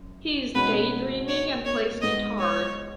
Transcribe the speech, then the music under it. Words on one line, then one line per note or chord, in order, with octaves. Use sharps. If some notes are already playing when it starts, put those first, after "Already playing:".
He is daydreaming and plays guitar.
Already playing: F#2
B2 G#3 C#4 F#4 B4
C#5
C#5
G#2 G#3 B3 D#5
C#5